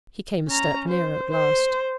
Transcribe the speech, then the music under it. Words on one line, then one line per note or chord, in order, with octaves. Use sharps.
He came a step nearer at last.
C#4 A#5
C5
C5